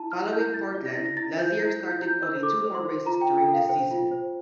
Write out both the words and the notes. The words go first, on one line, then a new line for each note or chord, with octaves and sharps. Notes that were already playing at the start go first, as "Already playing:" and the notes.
Following Portland, Lazier started only two more races during the season.
Already playing: E4 A5
E4 F6
E4 G6
E4 A6
D5
A#6
E4 A6
A#6
E4 A6
C5 G6
E4
E4 G6
E4 G6
C5 E6
A4 D6
C5
C6
C5
F4 A#5
G5
F4
G5
A4
F5
C5 G5
F4
C5